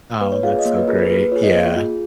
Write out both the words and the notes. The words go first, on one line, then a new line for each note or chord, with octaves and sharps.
Oh, that's so great. Yeah.
A#3 B4
C#5
F4 G#4 F5
D#5
A#3 C#5
B4
F4 G#4 A#4
B4
A#3 B4
B4
F4 G#4 C#5
D#5
A#3
F4 G#4